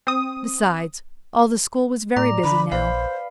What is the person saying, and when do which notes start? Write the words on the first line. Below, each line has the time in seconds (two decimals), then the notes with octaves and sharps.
Besides, all the school was very busy now.
0.07 C4 D#6
2.17 A2 D5 A#5
2.44 D3 B5
2.72 A#1 B4 C5 F5